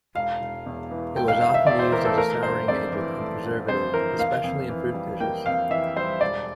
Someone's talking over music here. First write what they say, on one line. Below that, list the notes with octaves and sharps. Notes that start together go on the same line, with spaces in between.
It was often used as a souring agent and preservative, especially in fruit dishes.
E1 F5
E1
E2
E3
E1 G5
F5
E1 F5
E5
E2 D5
C5
E3 A#4
A4
A3 A#4
G1 C5
F2 D5
E3
A3
G1
F2 C5
E3 A#4
A#3 F5
F2
E3
G3
A#3 G5
F2 F5
E3 E5
G3 C5
E1 D5